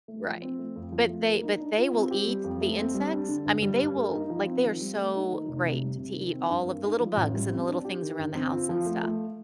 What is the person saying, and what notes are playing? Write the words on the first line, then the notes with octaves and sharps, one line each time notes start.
Right. But they but they will eat the insects. I mean, they will like, they are so great to eat all of the little bugs and the little things around the house and stuff,
A3
F3
C4
A3
F2
F3
A3
A#3
D#4
D4
F4
C4
G4
G3
F2
A3
C4
G3
D4
D3
G1
G3
G2
A#3
D#4
F3
C4
D#3
G3
A3
D#4
D#3
F1
C3
G3
C3
D#3
C4
G2
A#3
D#4
F3
A1
G3
C4
D4
G4
D#3
G1
C4
F4
F3
A3
A3